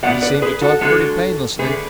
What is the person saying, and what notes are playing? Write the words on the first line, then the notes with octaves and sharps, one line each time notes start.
He seemed to talk pretty painlessly.
B2 G#3 B3 D5 F#5
B4 D5
G#4 B4
F#4 A4
D3 G#3 B3 F#4 A4
D3 A3 G#4 B4